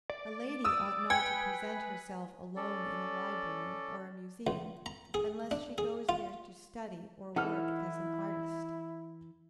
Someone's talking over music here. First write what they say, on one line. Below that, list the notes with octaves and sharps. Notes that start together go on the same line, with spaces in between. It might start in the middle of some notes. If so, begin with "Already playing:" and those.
A lady ought not to present herself alone in a library, or a museum, unless she goes there to study or work as an artist.
D5
D#6 E6
B4 G5 G#5 G#6
C#4 A4 D5
C#2
A#5
G#4
D4
G#4
F4
E3 D#4 E4 A4 F#5 F6